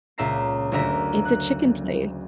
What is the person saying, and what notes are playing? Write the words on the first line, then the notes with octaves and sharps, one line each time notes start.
It's a chicken place.
C#2 A#2 E5 A#5 C7
F#1 D2 A#4 E5 A#5 B6
F#6